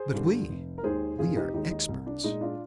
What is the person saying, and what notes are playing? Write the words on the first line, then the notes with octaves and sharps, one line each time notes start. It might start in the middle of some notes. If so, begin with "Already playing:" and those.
But we! we are experts.
Already playing: G#4 C5
G2 D3
F1
A#4
D#2 D#3 G#3 G#4 C5
F1 F4 G#4
D#4 G4
D#2 D#3 G#3 D#4
D#4
C2
D4
A#2 G#3 D#4
D4 F4